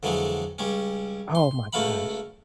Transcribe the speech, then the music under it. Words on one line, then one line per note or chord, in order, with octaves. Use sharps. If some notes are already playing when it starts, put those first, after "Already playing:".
Oh my gosh.
F2 D3 E3 F#3 G#3
C#2 G3 C#4
C6
C#2 A3 F#4 F5 A#5 B5